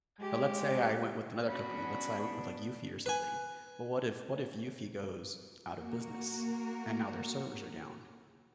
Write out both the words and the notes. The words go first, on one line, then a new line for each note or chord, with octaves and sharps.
But let's say I went with another company, let's say I went with, like, eufy or something, well, what if what if eufy goes out of business and now their servers are down,
G#3 G4
B3 C#4 D4 F#4 B5
B4 G#5
A#3 F#4 A#4